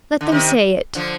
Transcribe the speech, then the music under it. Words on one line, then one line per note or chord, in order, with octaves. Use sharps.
Let them say it.
D3
C3 D#3
D3 F3